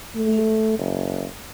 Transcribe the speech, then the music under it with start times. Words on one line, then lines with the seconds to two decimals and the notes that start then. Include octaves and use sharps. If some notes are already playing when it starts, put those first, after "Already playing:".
Oh, yeah.
0.15 A3
0.78 F#1